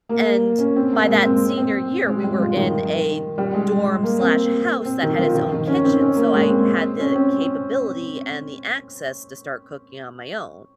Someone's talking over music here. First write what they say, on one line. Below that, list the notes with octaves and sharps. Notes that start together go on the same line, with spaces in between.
and, by that senior year we were in a dorm slash house that had its own kitchen, so I had the capability and the access to start cooking on my own.
A#3
C#4
C4
A#3
G#3
C4
C4
G#3
G3
F3
D#3
G3
G#3
A#3
C4
C4
D#3
F3
D#3
D#3
C#4
C4
C#4
A#3
G#3
C4
C#4
C4